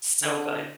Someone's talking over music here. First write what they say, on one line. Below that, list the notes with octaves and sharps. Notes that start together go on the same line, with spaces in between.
So good.
D3